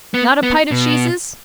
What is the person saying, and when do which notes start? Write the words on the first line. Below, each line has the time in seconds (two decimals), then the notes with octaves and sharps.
Not a pite of sheeses?
0.14 B3
0.43 B3
0.71 B2